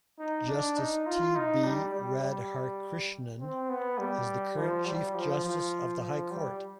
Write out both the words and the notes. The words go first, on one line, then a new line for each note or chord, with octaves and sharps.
Justice T B Radhakrishnan is the current Chief Justice of the High Court.
D#4
D4
D#4
F4
D#4
G3
G3
G3
C4
B3
G3
F3
G3
F3
F3
F3
G3